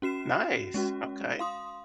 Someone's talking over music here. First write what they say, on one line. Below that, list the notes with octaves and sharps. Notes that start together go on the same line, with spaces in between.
Nice, okay.
C#4 F#4 C7 E7
G#3 C#4 F#4
F5 C6 D#6